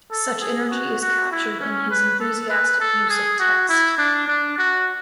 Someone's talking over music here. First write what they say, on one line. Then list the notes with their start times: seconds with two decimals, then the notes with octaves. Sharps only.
Such energy is captured in his enthusiastic use of text.
0.11 A4
0.41 G#4
0.71 F#4
1.01 F#4
1.32 E4
1.61 C#4
1.91 B4
2.20 A4
2.49 B4
2.80 A4
3.09 G#4
3.40 F#4
3.69 E4
3.98 D4
4.28 D4
4.58 F#4